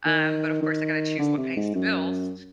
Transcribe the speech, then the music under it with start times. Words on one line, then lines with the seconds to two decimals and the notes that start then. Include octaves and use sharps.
Um, but of course, I've gotta choose what pays the bills.
0.06 D#3
0.62 D#3
1.19 D3
1.37 C3
1.56 G#2
1.75 F#2